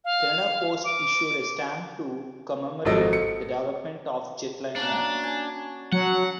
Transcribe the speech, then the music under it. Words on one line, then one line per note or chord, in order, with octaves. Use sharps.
Canada Post issued a stamp to commemorate the development of the Jetliner.
F5
D6
G#1 F3 F#3 A4 D#5 D7
C#7
A#3 C#4 D4 F#4
G#5 A5
F#3 F#5